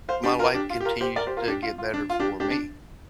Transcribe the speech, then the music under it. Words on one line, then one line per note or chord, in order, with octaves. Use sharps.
my life continues to get better for me,
C5 F5
D4 G4
F4 A#4
D4 G4
F4
G4
F4 A#4
G4 C5
A#4 D5
G4 C5
F4 A#4
D4 G4
F4
F4
D4
F4
D4 G4
D4 G4
D4